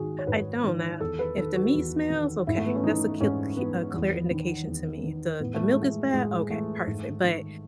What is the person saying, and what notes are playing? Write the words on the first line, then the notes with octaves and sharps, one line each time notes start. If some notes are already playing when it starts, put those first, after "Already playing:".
I don't now, if the meat smells? Okay, that's a c cl a clear indication to me. The the milk is bad? Okay, perfect, but
Already playing: G#2 D#3 F#4 G#4
C#5
G#2 B4
D#3
E2 A4
B4
D#3 A4
F#4
E2
D#3
G#2 E4
A3
B3
C#4
E3 D#4
G#2 C#4
E3 B3
E2
D#3
E2
D#3
A2 B3
A3
G#3
E3
A3
A2 G#3
E3 A3
G#2
D#3